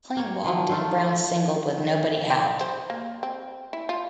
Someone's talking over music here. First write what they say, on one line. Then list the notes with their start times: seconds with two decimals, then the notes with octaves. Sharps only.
Kling walked and Brown singled with nobody out.
0.16 A#3 C#5
0.44 D#3 F3 F#3
0.69 D3 A3 D#4 F4
2.30 G5
2.61 C5
2.90 A#3
3.23 C4
3.73 E4
3.89 F4